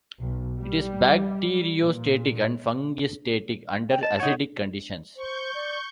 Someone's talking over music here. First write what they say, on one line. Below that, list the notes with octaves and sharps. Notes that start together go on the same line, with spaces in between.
It is bacteriostatic and fungistatic under acidic conditions.
B1
G3
A#2
G5
D#5 A5
D#4 C#5 F#5
C5 C#6 G6
D5